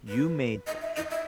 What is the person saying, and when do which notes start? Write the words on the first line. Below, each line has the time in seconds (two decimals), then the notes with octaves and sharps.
you made the he
0.08 B4
0.67 D#5
0.81 E5
0.97 D#5
1.11 E5